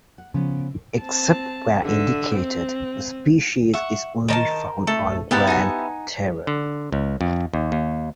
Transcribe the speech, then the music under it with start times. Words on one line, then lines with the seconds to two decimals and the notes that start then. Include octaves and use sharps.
Except where indicated, the species is only found on Grande Terre.
0.18 F#5
0.34 C#3 F3 B3 C#4
1.01 C4 A5
1.83 D3 E5
2.35 C4
3.74 E5 F#5 C#6
4.28 D#3 A#4 C5 D5 A5
4.87 A3 A4
5.31 B3 E4 G4 A#4 B4 F#5 A5
5.47 D#4 F#5 G#5
6.47 D3
6.92 C#2
7.21 F2
7.54 D#2
7.72 D#2